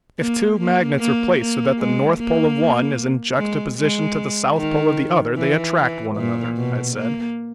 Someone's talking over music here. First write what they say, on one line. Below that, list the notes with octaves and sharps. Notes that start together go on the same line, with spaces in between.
"If two magnets are placed so that the north pole of one is in juxtaposition to the south pole of the other, they attract one another," I said.
A#3
A#3
A#3
A#3
G#3
A#3
G#3
G#3
D#3
E3
E3
A#2
B2
A#3